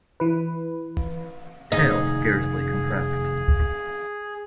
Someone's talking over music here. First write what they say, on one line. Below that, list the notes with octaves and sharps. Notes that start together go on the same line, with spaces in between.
Tail scarcely compressed.
E3 B4
F1 F#2 D#3 D#4 G#4